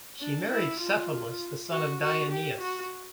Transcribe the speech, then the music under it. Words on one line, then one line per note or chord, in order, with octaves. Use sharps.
She married Cephalus, the son of Deioneus.
D4
E4
F4
F#4
F#4
G4
F#4